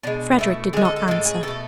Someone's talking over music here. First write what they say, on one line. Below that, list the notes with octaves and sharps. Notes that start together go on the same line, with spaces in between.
Frederick did not answer.
B2 G#3 D4
B2 A3 E4
D3 G#3 G#4
A4
A4
A2 G#3 A4
G#4
B2 A3 A4